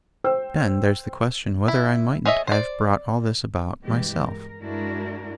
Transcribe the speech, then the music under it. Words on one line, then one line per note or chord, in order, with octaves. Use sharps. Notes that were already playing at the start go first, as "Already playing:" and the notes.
But, again, there's the question whether I mightn't have brought all this about, myself.
C5 G5 E6
E4
G#4 C#5 D#5 E5
C5 D5
G2 B2 E3 G#3 G4
A#4
G2 G#3 D4 E4 F#4 A#4